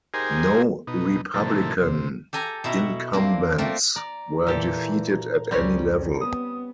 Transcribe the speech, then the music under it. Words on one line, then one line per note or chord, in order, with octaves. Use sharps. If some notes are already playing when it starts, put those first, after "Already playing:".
No Republican incumbents were defeated at any level.
D#4 G4 G#4 A#4 C5 G#5
B2 D#4
A2 C3 D#3 E3 A#3 A4
C3
G4 A4 G#5 A#5
B2 E4 E5 A#5
F#5
A#3 C4 D4
A3 A#3 C4 F4
D5 A#5
A#2 E3 G4 A4
C#2 G3 C4 C#4
B3 D#6